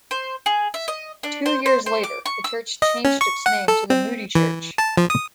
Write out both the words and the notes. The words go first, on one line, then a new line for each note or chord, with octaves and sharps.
Two years later, the church changed its name to the Moody Church.
C5
G#4
E5
D#5
D4
C5
C5
C5
D6
C#6
E6
D#5
C#4
C#6
F#5
A4
C4
E3
A5
F3
D#6